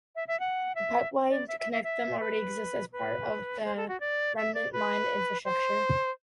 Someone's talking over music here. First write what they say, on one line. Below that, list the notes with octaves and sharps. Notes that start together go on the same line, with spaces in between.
The pipeline to connect them already exists as part of the remnant mine infrastructure.
E5
E5
F#5
E5
D5
E5
E5
E5
E5
B4
B4
C5
A4
F#4
D5
E5
D5
B4
C5